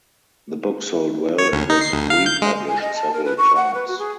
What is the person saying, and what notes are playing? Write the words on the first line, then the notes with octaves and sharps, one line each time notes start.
The book sold well and was republished several times.
C#5
D2
D#4
C7
D2
F5
G6
G#3
G#5
D#5
A5
A#4
B4
C#6
F#5
B4
F#4
G#4